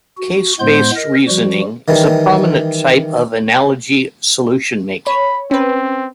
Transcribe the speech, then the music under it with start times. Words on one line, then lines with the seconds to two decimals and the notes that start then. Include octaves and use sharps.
Case-based reasoning is a prominent type of analogy solution making.
0.17 F#4
0.60 A2 G#3 B3 C5 C6 G6
0.96 A#4 D#5
1.28 F3 G3 F#4
1.88 D#3 E3 G3
5.07 C#5 B5
5.51 C4 C#4 B4